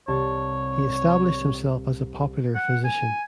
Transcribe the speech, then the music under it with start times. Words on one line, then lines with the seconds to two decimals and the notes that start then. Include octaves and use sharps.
He established himself as a popular physician.
0.08 C2 C#5 A5
2.55 F#5
2.84 G#5